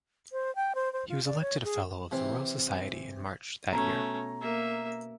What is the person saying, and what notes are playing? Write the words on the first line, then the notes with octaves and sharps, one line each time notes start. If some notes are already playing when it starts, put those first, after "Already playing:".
He was elected a Fellow of the Royal Society in March that year.
C5
G5
C5
C5
F4
D5
C#5
G#4
C3 E3 C4
B2 A3 C#4 A#5
A#3 E5